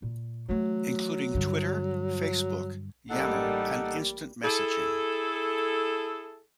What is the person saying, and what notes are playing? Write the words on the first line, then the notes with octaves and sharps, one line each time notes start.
Including Twitter, Facebook, Yammer and Instant Messaging.
A#2
E3 F#3 A3
G2 D3
A1 G3 A#3 D#4 A4 F#5
E4 G#4 A4